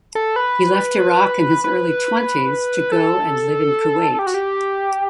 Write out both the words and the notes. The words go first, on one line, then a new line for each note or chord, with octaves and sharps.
He left Iraq in his early twenties to go and live in Kuwait.
A4
B4
B4
A4
G4
F#4
G4